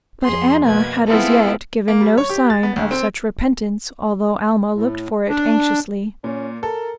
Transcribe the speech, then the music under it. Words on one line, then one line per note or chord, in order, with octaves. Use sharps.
But Anna had as yet given no sign of such repentance, although Alma looked for it anxiously.
F2 G#4 C6
B2 A#3 B4 G#6
B3 C4 E4 F4 G#4 A4
A#3
G3
C#5
G4
A6
B3
D2
C4
A2
D4
A#2 C#4
A4 A#4